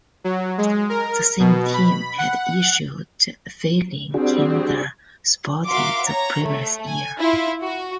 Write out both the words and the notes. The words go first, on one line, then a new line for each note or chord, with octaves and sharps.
The same team had issued "Feelin' Kinda Sporty" the previous year.
F#3
G#3
A#4
B2
B5
F#5
G3 C4 D4 F#4 G#4
F#4 A#4 E5 F5 C6 D6
C#5 A#5
A3
G#5
E4 F4
F#4